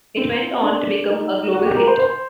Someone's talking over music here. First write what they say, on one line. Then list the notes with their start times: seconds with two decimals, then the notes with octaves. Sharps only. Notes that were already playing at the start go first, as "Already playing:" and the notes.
It went on to become a global hit.
0.17 C4
0.62 D4
1.09 D#4
1.54 F#4
1.65 G4
1.77 A#4
1.87 C5
1.99 C5